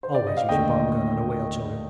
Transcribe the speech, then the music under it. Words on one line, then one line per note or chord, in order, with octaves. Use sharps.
Always use your bomb-gun on a whale, children.
C5
D5
D#5
F5
D#2 D3 A3 D#5 G5